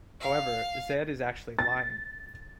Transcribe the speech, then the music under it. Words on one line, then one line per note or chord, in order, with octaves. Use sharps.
However, Zedd is actually lying.
F5
A6